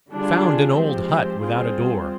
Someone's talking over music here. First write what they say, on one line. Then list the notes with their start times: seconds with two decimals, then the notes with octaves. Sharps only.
He found an old hut without a door.
0.11 D3 G3 D4 F4 G#4
0.77 F3 G#3 C4 G4 C5
1.43 G3 C4 F4 G#4 C5